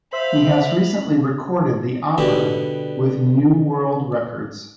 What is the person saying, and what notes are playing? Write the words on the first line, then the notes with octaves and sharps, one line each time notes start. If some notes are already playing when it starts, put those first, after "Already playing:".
He has recently recorded the opera with new world records.
C5 E5 F5 B5
B2 D3 G3